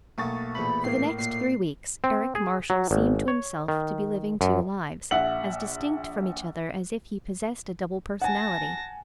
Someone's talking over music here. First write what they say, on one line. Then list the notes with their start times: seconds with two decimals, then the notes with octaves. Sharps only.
For the next three weeks Eric Marshall seemed to himself to be living two lives, as distinct from each other as if he possessed a double personality.
0.18 B1 A3 A#3 G#4 C#6 A6
0.55 E2 A#2 A3 B5
0.84 A2 A#3 C7
1.18 A#2 C7
2.04 C4
2.35 G#4
2.70 F#3
2.91 G#1
3.28 C#5
3.68 D#3
4.41 F#2
5.11 A#1 E5 F#5 F#7
8.22 F#5 G#5 A5 A#6